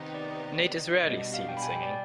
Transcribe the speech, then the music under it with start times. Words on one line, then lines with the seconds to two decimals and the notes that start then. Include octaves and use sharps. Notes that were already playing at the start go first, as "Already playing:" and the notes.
Nate is rarely seen singing.
Already playing: C3 D#3 B3 D#4 G4
0.14 D5
1.03 B2 G3 D4 D#5
1.34 F5
1.48 G5
1.57 B5
1.62 G#5
1.73 G5
1.83 D5